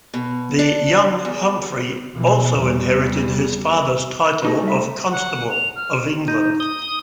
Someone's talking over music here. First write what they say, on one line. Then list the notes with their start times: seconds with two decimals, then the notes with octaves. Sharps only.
The young Humphrey also inherited his father's title of Constable of England.
0.14 B2
0.59 D4
1.25 E2
2.13 B2 E3
2.59 E2 G3
4.45 A3 D#4 G#4 D#5
4.63 G3 E5
5.11 F#5
5.51 F7
5.76 F6
6.28 D#4
6.60 D#6